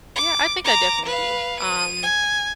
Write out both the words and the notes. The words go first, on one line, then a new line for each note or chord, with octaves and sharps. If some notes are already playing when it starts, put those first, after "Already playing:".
Yeah, I think I definitely do, um,
D6
A#5 D6
B4 F5
D#7
G#5